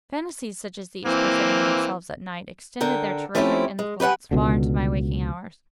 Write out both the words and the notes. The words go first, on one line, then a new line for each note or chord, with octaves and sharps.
Phantasies such as these, presenting themselves at night, extended their terrific influence far into my waking hours.
E3 A#3 C4
D3 A#4 G5
F3 A3 C4 C#4 E4 G4
G#3
G4 B4 C#5 F#5 G#5
C#2 B2 D3